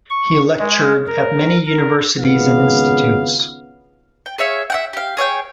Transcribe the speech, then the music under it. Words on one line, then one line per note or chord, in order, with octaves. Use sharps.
He lectured at many universities and institutes.
C#6
G#3
A#4
A#4
G#1 C#2 C#3 B3 F5
G5
G#4 C#5 E5 F5
E5 F#5 G5
G4 F5
G#4 C#5 F5 G5